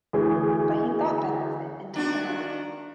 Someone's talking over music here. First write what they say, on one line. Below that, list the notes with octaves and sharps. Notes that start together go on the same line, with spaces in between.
But he thought better of it, and took them away.
D2 E3 G#4
D#3 D4 F#4